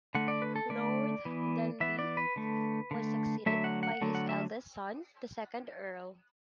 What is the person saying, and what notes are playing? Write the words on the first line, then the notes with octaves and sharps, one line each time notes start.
Lord Denbigh was succeeded by his eldest son, the second Earl.
D3 A3 F#5
D5
B4
A4
D3 A3 D5
E3 B3
E3 B3 E5
D5
B4
D3 A3
D3 A3
D3 F#3 A3 E5
F#5
F#5
D3 F#3 A3
F#5
E5